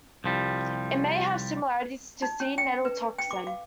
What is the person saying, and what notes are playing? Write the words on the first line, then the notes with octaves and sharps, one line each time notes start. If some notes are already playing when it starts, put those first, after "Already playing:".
It may have similarities to sea nettle toxin.
C2 F3 G3
D#4
C#4
G5
B4
G5
D6
F5